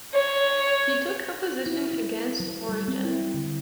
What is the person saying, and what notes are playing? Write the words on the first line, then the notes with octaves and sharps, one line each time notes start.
He took a position against Origen.
C#5
E4
E4
F#3
G3
C4
E4
D3